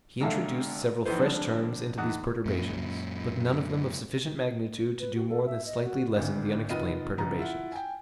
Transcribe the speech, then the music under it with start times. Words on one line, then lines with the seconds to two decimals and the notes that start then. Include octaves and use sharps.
He introduced several fresh terms into these perturbations, but none of them of sufficient magnitude to do more than slightly lessen the unexplained perturbations.
0.21 G#1 A#2 D3 A4 E5 F5
1.06 A#1 D#3 E3 B3 C5
1.18 D3 F3 G3 G#3 C4 D4
1.98 E2 D#3 D#4 F#5 D#6
2.46 F#2 A#2
4.99 B4
5.15 F#4
5.29 A4
5.46 E5
5.66 D#5
5.84 F#4
6.14 G#1 D2 G2
6.69 F1 D#3 B3 F4 D#5 D#7
7.18 F#1 F3 B3 A#5
7.39 E4 F4 F#5
7.72 G5 G#5